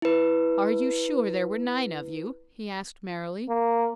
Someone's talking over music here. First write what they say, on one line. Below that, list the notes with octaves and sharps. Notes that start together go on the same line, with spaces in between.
"Are you sure there were nine of you?" he asked, merrily.
E4 B4
A#3